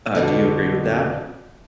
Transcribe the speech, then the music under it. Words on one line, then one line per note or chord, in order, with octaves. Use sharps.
Uh, do you agree with that?
F2 G#2 B2 D3